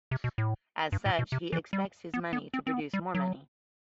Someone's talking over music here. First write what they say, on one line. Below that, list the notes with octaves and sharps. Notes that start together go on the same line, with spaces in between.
As such, he expects his money to produce more money.
C3
B2
A2
G2
A2
B2
C3
E3
G3
B3
B3
C4
C4
B3
G3
F#3